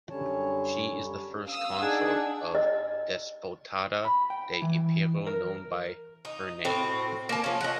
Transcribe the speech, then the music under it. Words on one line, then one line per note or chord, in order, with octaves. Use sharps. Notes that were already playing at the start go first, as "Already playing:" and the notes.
She is the first consort of Despotado de Epiro known by her name.
F#2 D3 G3 C#4 C#5 A5
F5 D#6 E6
D4 D#4 G#4 F#5
D#5
B5
G5
E3
A#4
D#4
A2 C4 F#4
A#3 A5
F3 C#4
D#5 F#5